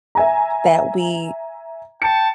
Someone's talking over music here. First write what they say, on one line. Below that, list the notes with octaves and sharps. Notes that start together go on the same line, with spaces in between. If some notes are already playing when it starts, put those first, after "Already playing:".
that we
E5 G#5 A#5
G5 A5 C#7